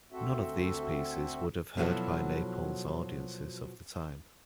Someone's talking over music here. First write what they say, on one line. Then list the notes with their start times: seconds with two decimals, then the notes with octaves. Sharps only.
None of these pieces would have heard by Naples' audiences of the time.
0.12 D2 C4 F#4 A4 E5
1.77 B2 F3 F#3 E4 F#4 A4